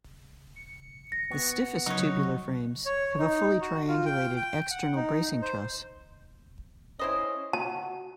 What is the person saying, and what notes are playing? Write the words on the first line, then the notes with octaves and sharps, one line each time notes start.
The stiffest tubular frames have a fully triangulated external bracing truss.
C#7
A#6
B3 F#4
C#3 F#3 D#4 F#4 C#5
C#5
D#4
F#4
F4
G5
G5
F#5
D#4
C5
C#4 E4 C5 D#5
F#4 A5